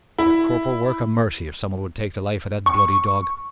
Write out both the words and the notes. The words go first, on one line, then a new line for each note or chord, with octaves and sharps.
Be a corporal work of mercy if someone would take the life of that bloody dog.
E4
C#6